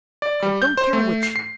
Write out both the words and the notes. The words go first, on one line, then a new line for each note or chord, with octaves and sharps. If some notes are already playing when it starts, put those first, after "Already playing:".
I don't care which.
D5
G3
G6
C5
A3
C7
C7